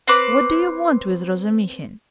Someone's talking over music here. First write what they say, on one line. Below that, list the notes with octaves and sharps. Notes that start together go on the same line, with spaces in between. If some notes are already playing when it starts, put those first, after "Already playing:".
What do you want with Razumihin?
C4 B4 D6